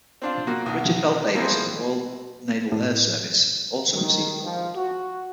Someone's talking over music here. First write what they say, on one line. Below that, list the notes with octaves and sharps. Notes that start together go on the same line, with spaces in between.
Richard Bell-Davies of the Royal Naval Air Service also received an award.
C4 D4 F4
A#2 A#3 F#4
B1 D#3
E3 F3 G#3 A#3 C4
A2
D#3
F3
F#4